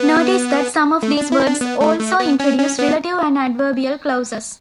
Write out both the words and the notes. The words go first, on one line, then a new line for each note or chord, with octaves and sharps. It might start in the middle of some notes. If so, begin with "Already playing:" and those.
Notice that some of these words also introduce relative and adverbial clauses.
Already playing: B3
A3
D4
E4
D4
B3
A3
A3
B3
C#4
C#4
B3